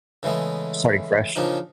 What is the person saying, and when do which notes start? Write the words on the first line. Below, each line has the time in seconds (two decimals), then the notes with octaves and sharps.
Starting fresh.
0.23 C#3 E3 G#3 A3 B3
1.36 A#2 C#3 F3 D4 D#4